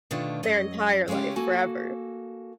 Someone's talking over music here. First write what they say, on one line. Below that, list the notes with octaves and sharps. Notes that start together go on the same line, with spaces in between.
their entire life, forever.
B2 D3 D#3 A3 D4 F4
F#2 F#3 D#5
C#3 G#3 A3 C#4 G4
A#3 F#4 A4 G#5